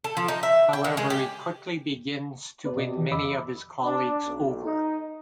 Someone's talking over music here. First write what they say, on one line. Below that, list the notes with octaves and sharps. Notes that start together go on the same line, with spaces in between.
However, he quickly begins to win many of his colleagues over.
A4
F3
D#4
E5
G5
D#3
G#3
G4
B3 B4 D5
B2 F#4 D5 D#5
D#3 E3 G4
F2 D#5 B5 D6 E6
D4
B1
D#4